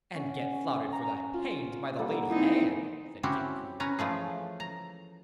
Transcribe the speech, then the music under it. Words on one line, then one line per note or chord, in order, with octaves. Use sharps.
"And get flouted for thy pains by the Lady Anne," said Kit Coo.
C#4 F#5
A#5
F4
G3 A#3 A4 F#5
C4 D#4 E4 G#4 B4
C4 C#4 E4 F#4 G4
C#4 B4 A#5
E3 F3 A3 G#4
A#5